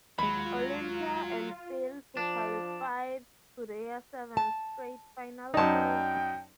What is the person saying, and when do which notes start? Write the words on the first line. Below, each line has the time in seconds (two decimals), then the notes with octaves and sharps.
Olimpia and failed to qualify to their seventh straight final series.
0.18 D#2 F#3 G#3 F4 B5
2.17 F3 D4
4.37 A5
5.54 F#2 D#4 D5 G5 A5